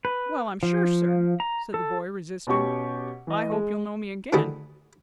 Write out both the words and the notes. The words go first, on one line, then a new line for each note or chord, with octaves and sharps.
'Well, I'm sure, sir!' said the boy, resisting; 'I hope you'll know me again.'
B4
F3
A#5
A4
B2 C#4 G4 C#6
E3 D#5
G#3
D3 D#3 A3 E4 F#4 G#4